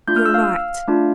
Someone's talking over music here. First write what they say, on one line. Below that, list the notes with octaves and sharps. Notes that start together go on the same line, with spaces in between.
You're right!
A3 D4 F4 G6
F6
E6
F5 F6
A3 D4 F4